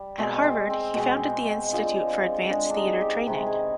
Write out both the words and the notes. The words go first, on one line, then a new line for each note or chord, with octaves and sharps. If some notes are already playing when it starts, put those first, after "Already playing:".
At Harvard, he founded the Institute for Advanced Theater Training.
Already playing: G3
B2 G#3 C4
C4
C4
B2 G#3
D3 F3 G#3
D3 G#3 D4
D4
D#4
G4
C3 D#3 G#3 B4
G#4